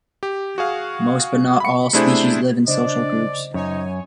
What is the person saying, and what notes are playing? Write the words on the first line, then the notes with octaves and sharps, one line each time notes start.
Most, but not all, species live in social groups.
G4
F#4 G#4 F5
B5 C#7
C3 A3 D4 E4 G#4 C5
C#3 D4 C5 D5 D#5
F#2 D#4 C#5 G#5